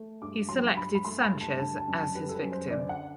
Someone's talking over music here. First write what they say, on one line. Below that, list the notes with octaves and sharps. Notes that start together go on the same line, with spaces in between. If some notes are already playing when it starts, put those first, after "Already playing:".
He selected Sanchez as his victim.
Already playing: A3
G2 D6
F#3 C6
G2 B5
B5
A3 C6
B5
G2
A5
D3 A5
A5
F#2
A5
G3 B4
A4
B4
F#2
C5
D3 D5
F#5